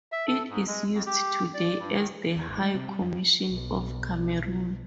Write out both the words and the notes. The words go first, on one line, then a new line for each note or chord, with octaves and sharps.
It is used today as the High Commission of Cameroon.
E5
A4
G#2
G#3
F2
G4
D5
G2
D#3
E2
G#1
G#3
C3
G3
F2
B1